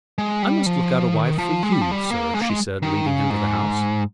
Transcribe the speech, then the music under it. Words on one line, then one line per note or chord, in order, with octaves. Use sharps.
"I must look out a wife for you, sir," she said, leading him to the house.
G#3
G3
F3
D#3
F3
G#3
G3
F3
G3
A#3
G#3
A#3
G#3
D#3
C#3
G#2